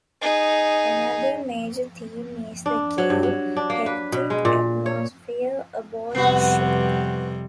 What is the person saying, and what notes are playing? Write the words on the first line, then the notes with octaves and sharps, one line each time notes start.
Another major theme is the gay, hectic atmosphere aboard ship.
D#4 G#4
D4
F#3
G2
F#3
D4
A#3
B4
B2
G#3
A#2
C#5
F2 C3 G3 B3 F#4